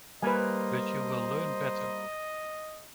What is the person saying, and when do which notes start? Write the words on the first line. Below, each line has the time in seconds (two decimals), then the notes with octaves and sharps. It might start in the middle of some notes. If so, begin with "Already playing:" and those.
But you will learn better.
0.22 G3 A#3 B4 C5 D#5 G#5